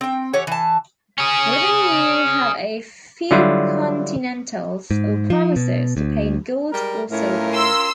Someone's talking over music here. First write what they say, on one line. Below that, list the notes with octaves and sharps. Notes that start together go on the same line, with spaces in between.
Within you have a few continentals or promises to pay in gold or silver.
C4 G5
E3 G4 C#5 F#5
E3 A5
C#4 G#4
D3 F#3 G3 E4 F4
G#2
F3
B2
D2
G3 G#3 A#4
A2 C#4 F4 A#4
C6 E6